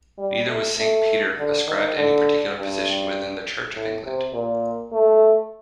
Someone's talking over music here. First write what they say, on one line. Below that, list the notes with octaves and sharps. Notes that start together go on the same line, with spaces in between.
Neither was Saint Peter ascribed any particular position within the Church of England.
G3
A3
A3
D3
D#3
D3
G2
A2
C3
A#2
A3